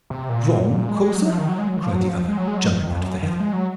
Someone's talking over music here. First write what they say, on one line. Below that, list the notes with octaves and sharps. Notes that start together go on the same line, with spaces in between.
"Wrong, quotha?" cried the other, jumping out of the heather.
C3
A#2
G#3
G#3
F#3
F3
D#3
F#3
G#3
F#3
D#3
F3
F#3
F3
F3
G#3
F#3
G#3
F#3
F3
D#3
F2
F#2
D#3
F3
G#3
F#3